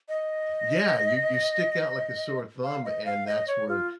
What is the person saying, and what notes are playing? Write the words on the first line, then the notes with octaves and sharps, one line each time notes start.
Yeah, you you stick out like a sore thumb, and that's where
D#5
F5
D#5
F5
D#5
C#5
F4